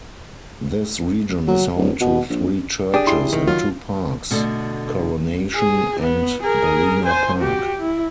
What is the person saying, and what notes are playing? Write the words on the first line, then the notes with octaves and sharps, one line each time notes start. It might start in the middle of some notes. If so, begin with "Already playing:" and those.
This region is home to three churches, and two parks; Coronation and Balena Park.
F#3
D1
B2
A#1
D4 G4 G#4 D#6
E4 C6
D#3
F#3 F4
B2 D3 A3 D4
G#4
B3
G#4 A#4
C5 G#5
F#4 G4
E4